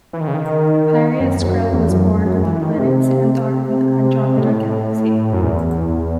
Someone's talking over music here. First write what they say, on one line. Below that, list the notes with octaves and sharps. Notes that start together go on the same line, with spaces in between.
Pyreus Kril was born on the planet Xandar, in the Andromeda Galaxy.
E3
D#3
C#3
D#3
F#2
E2
F#2
E2
F#2
F#2
E3
D#3
C3
A2
F#2
E2